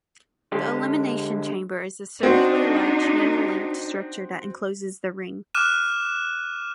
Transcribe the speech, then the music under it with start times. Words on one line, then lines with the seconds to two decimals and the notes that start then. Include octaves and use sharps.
The Elimination Chamber is a circular-like chain-linked structure that encloses the ring.
0.52 D3 G#3 G4
2.23 C4 D4 D#4 F#4
5.55 D6 F6 F#6 D#7 E7